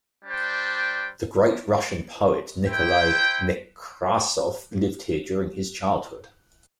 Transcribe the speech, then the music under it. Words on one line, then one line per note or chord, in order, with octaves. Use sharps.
The great Russian poet Nikolay Nekrasov lived here during his childhood.
G3 D4 C5 G5
E4 C5 G5